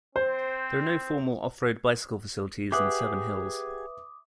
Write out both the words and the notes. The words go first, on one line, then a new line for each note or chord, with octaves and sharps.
There are no formal off-road bicycle facilities in Seven Hills.
C4 C5
G4 G#4 B4 E5 F#5 D6 D#6